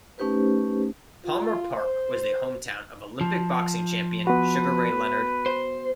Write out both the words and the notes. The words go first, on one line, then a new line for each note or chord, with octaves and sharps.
Palmer Park was the hometown of Olympic boxing champion Sugar Ray Leonard.
A3 C#4 D#4 G4 B4 C5
F4
C5
F3
B3 F#4 B4
C5